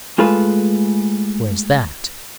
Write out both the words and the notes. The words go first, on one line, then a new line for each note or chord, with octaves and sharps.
"Where's that?"
G#3 A3 F4 G#4 A4 B4